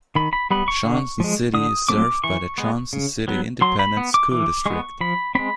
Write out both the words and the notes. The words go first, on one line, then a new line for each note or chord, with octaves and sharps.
Johnson City is served by the Johnson City Independent School District.
D#3 B5
B5
G3 B3 B5
C#6
D3
F3 G#3
D3 D#6
F#3 A3 C4 D6
E3 C#6
G#3 B3
C#3
F#3 B3
F#3 C6
B5
B3
D6
E3 D6
G#3 B3 C#6
F3 B5
G#3 C4 B5